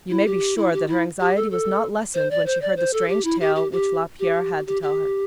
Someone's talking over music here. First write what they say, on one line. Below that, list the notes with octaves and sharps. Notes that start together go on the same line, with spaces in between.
You may be sure that her anxiety was not lessened when she heard the strange tale which Lapierre had to tell her.
E4
G4
E4
G4
E4
G4
A4
A4
C5
D5
C5
D5
C5
A4
G4
E4
G4
G4
G4
G4
G4
G4